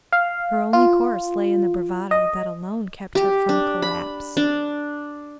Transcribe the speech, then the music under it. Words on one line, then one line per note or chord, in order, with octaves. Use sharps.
Her only course lay in the bravado that alone kept her from collapse.
F5
F4
D#5
G4
D4
B5
D4